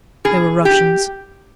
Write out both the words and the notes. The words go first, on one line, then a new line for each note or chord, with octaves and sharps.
They were Russians.
B2 G#4
G4